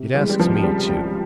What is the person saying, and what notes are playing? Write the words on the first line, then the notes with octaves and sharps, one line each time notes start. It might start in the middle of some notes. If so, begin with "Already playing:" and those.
It asks me too.
Already playing: C3
E3 G3
G#3
G3
C#2 F3
C3 G3
C#2